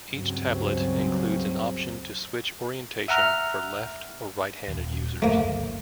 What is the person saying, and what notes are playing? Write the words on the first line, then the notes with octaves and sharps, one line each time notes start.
Each tablet includes an option to switch orientation for left- or right-handed users.
C#2 G2 C#3 F#3 C4
E5 F#5 A#5 F6
D#1 D#2
G1 C#2 A3 A#3